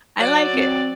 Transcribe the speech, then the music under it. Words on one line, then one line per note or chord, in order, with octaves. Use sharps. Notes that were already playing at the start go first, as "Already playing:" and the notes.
I like it.
F#3 D5
C4